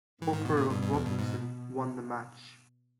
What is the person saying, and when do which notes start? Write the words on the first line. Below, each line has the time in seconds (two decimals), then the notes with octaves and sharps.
Corporal Robinson won the match.
0.22 G#2 E3
0.33 D#3
0.45 B2
0.57 A#2
0.70 G2 B2
0.82 G2
0.94 E2
1.06 G2
1.19 G#2